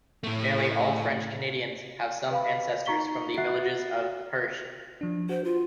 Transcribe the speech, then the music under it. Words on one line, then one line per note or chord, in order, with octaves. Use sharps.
Nearly all French Canadians have some ancestors from the villages of Perche.
A2 A3
B4 F5 B5
D#4 A#5 C#6 B6 G7
F#4 E5 F#5 F#6 A6 C7
F3 D4
F#4 C5
F4